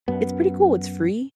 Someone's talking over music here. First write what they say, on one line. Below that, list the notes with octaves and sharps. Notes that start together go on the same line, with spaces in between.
It's pretty cool, it's free,
F#2 B3